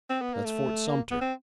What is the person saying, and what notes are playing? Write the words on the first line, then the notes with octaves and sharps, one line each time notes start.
That's Fort Sumter.
C4
B3
A#3
A3
A#3
B3
C4